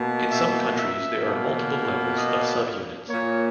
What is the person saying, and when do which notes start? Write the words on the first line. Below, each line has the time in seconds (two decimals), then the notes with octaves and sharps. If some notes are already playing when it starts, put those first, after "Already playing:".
In some countries, there are multiple levels of subunits.
Already playing: B2 A#3
0.30 E5
0.77 E5
1.23 B2 A#3
2.16 D#5
3.08 A#2 A#3 C#5